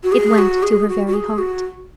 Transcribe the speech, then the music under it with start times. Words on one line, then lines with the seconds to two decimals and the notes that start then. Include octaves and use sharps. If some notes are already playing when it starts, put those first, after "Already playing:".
It went to her very heart.
0.04 F#4
0.12 G#4
0.38 F#4
0.63 G#4
0.88 F#4
1.07 F#4
1.14 G#4
1.38 F#4